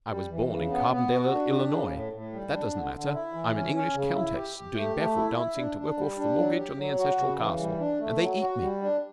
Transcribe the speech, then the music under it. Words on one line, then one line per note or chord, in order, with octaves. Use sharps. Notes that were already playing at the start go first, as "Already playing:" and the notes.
I was born in Carbondale, Illinois, but that doesn't matter--I'm an English countess, doing barefoot dancing to work off the mortgage on the ancestral castle, and they eat me.
G3
E3
C#3
B3
B3
F#4
D4
G4
C#3
A2
A2
G3
D4
D3
D3
E4
E3
C#4
C#4
C#3
E4
G4
G4
A3
A3
E4
E4
D4
D4
G3
D4
F#3
G4
F#3
F#4
C#3
E3
G3
D4
A3
F#3
F#4
G3
D4